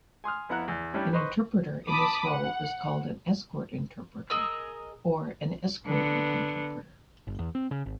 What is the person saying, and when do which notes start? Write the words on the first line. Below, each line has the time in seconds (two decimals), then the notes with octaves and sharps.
An interpreter in this role is called an "escort interpreter" or an "escorting interpreter".
0.24 G#5 C6 D#6 F6
0.49 F2 B3 E4 F#5 A#5 F#6
0.68 E2
0.93 G3 C#4 D4 E4 G4
1.13 B4 C5 D#5 C6 C#6
1.88 A5 B5 D6 D#6
2.28 F#5
4.30 G#4 A#4 D#5 E6
5.86 D3 B3
7.27 G1
7.39 E2
7.55 C4
7.71 C#3
7.86 G#1